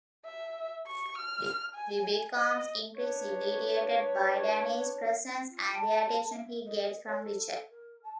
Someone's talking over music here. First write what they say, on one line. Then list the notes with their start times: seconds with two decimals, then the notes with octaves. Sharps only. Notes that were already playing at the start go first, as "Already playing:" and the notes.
She becomes increasingly irritated by Danny's presence and the attention he gets from Richard.
0.25 E5
0.87 C#6
1.17 F6
1.75 G#5
2.32 D#5
2.96 D4 B4 C#5
5.51 F4
5.73 A5
6.30 E5
6.65 D#5
7.06 C#5
7.18 A4
7.70 A#4
8.03 A5